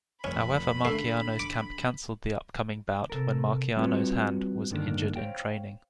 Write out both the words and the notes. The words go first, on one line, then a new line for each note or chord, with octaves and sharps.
However Marciano's camp cancelled the upcoming bout when Marciano's hand was injured in training.
F1 C#4 B5
D3 A3 C7
D6
C3 A4 A#4
G3 C4 F4 F#4 B4 C#5
G2 D3 D#3 A#3 D4
C5 C#5 F5 G5